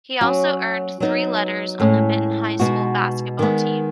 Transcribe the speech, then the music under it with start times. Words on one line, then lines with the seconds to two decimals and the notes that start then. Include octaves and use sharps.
He also earned three letters on the Benton High School basketball team.
0.21 F#3 C#4 F#4
1.00 F#3 B3 D#4
1.80 A2 G#3 C#4
2.59 B2 G#3 D#4 F#4
3.39 D#3 G#3 B3